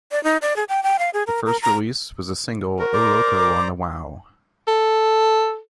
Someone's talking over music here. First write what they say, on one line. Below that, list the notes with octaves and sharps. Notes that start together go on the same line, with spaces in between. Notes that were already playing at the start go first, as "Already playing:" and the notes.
Their first release was the single "O'Locco" on the Wau!
D5
D#4
D5
G#4
G5
G5
F5
G#4
A#4
A#4
A#5
F#4 A#4
C5 D5 A#5 D6
A4